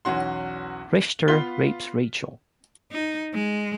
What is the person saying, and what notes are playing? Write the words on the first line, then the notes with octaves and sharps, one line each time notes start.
Richter rapes Rachel.
B1 E2 C#4 F#4 C6
B3 F4 F5 C6 B6 G7
D#4
G#3